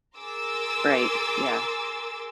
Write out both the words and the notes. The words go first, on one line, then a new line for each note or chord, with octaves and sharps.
Right. Yeah.
G#4 A#4 C6 D6 E6 A6